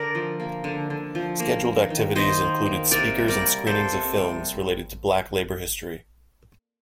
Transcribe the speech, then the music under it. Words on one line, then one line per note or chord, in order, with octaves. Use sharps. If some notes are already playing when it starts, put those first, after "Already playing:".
Scheduled activities included speakers and screenings of films related to Black labor history.
Already playing: D3 A#4 D5
F3
A#3
D3
D3
F3
A#3
A#3
D#3
D#3 C5 D#5
A#3
A#3
C3 A#4 D5
G3
A#4 D5
A#3
C3 A4 C5
C3
G3